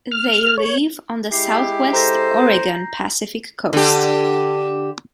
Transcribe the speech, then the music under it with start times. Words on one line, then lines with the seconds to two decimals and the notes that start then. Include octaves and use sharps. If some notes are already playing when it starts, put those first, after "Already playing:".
They live on the southwest Oregon Pacific coast.
0.11 F6
0.58 C#5
1.32 G#3 E4 G4 C7
1.93 A4 C5 A#5 G6 A#6
3.73 D3 G4